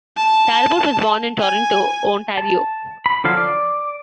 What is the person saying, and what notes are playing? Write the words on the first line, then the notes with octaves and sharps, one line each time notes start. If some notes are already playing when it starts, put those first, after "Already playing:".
Talbot was born in Toronto, Ontario.
A5
G#5
A5
B5
D3 F3 F#3 F5 A5
D5